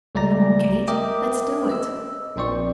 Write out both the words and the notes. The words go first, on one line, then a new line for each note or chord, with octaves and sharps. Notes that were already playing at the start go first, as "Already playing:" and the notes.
Come on, Kate, let's do it!
C#2 G3 A3 D5 A#5 A#6
A#4 D#5 E5 G5 D6 D#6
D#5 E6
A#1 A#2 C4 C5 D5 C#6